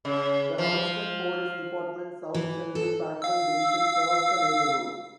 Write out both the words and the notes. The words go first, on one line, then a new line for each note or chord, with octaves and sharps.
The Houston Police Department's South Central Patrol Division serves the neighborhood.
C#3
F3
E3
A4
F5 E6